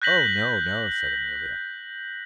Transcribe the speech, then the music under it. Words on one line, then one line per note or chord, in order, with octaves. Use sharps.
'Oh no! no!' said Amelia.
F#6 G6 A#6 B6 F#7